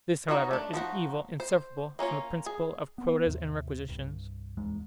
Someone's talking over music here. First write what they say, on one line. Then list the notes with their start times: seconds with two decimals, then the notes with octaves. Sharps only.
This, however, is an evil inseparable from the principle of quotas and requisitions.
0.28 D#4 F#4 C#5 D#5
0.51 A3 D4
0.73 F3 D#4 F#4
1.40 C5
1.99 A#3 C#4 F4 C#5
2.46 G#4
2.98 B3
3.26 D#2 G#2 C3
3.88 C2 G2
4.57 D1 E2 G#2 G#3